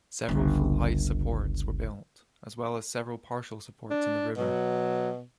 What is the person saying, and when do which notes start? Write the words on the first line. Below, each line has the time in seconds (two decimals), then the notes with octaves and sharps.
Several full-height supports were built, as well as several partial supports in the river.
0.29 G1 C#2
3.90 D4
4.37 B2 F#3